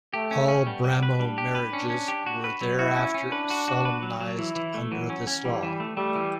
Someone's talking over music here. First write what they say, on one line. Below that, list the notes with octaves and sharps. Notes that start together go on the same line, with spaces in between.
All Brahmo marriages were thereafter solemnised under this law.
A3 G4
C#4
C#4
G3 B3
G3
B4
G3 D4
G4
B4
C#4 D4
C#4
G4
F#4
B4
F#3
E4 F#4
C#4
C#4
D4 B4
F#4
F#4
B4
F#3
F#3
E3 E4
E3
A3
E3 F#3
C#4
C#4
E3 G3
E3
A3
G3 A3
E3